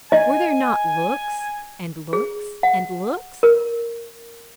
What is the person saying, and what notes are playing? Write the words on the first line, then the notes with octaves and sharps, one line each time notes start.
Were there not looks, and looks, and looks?
D#5 G#5
G#4
F#5
A#4